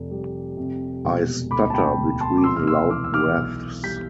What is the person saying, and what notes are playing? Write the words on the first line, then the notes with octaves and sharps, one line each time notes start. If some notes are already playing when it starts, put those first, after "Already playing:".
I stutter between loud breaths.
Already playing: F1
G3
C3
E1
D2 B5 D6
A5
G5 B5
E1
A5 C6
D6
C3 C6 E6
F6
C6 E6
E3 D6 F6
E6
D6 F6
B1
G3 G6 B6